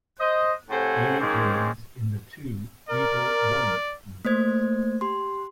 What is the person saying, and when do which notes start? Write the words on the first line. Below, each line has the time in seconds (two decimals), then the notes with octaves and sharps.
Amy Jennings in the two "Eagle One" movies.
0.20 C5 D#5
0.70 A2 C3 A4 C5 F#5 G#5
1.20 G#2 D#3 G#3 A#3 C4 C#4
2.89 A#4 D5
4.25 A3 A#3 C5 G#6
5.01 G4 C6